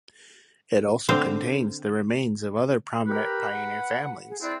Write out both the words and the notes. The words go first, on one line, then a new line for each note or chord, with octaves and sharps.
It also contains the remains of other prominent pioneer families.
D3 C4 C5 F5
G4 A#4 B4
F#5
G#4
C4 E4 D5 F#6